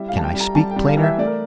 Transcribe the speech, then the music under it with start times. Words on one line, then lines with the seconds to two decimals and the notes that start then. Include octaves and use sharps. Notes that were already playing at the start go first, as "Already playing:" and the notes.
Can I speak plainer?
Already playing: G3 E4 E5
0.08 F5
0.13 G3 A5
0.24 G5
0.34 G3
0.40 A#5
0.55 G3 A5
0.71 G5
0.76 G3
0.88 F5
0.97 E3
1.03 E5
1.18 A3 D5
1.26 A#4